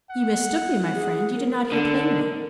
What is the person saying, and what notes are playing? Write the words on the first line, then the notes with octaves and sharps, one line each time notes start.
"You mistook me, my friend; you did not hear plainly."
F#5
G#4
A#4
D3 A4
D#4